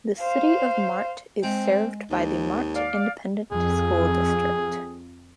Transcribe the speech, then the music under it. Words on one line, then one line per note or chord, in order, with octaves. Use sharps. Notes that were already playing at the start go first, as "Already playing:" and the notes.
The City of Mart is served by the Mart Independent School District.
C5 F5
G#3 C4 D#5 F#5
D#2 G#2
D5 F5
F2 G#4